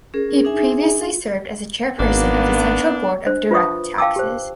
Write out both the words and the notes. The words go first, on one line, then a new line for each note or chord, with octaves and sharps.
He previously served as the Chairperson of the Central Board of Direct Taxes.
C#4 G#4 A#4
D4 D#4 G#4 E5 G#5
G#1 A#3 B3 D4
D4 C5
F4 B4 C5 E5 C#6 D#6
F5 G5 A5 D6 E6
G4 C5